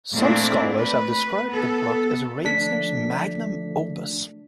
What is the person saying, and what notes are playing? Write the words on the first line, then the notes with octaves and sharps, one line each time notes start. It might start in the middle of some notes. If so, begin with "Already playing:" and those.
Some scholars have described the book as Reisner's magnum opus.
A#2 A3 C4 D4 E4
B4
B3 A4
D3 F3 A3 D4 B6